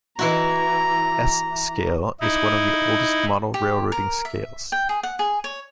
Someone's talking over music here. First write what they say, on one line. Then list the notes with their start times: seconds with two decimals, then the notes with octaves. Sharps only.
S Scale is one of the oldest model railroading scales.
0.19 E3 E4 F#4 A#5
2.20 D#4 E4
3.54 G4
3.92 A#4
4.25 E5
4.72 G5
4.89 G#4
5.03 F#5
5.19 G#4
5.44 C#5